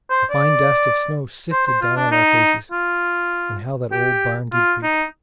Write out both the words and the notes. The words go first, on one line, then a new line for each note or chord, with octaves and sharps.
A fine dust of snow sifted down on our faces; and how that old barn did creak!
C5
D5
C5
C5
F4
D4
D#4
F4
G4
F4
D#4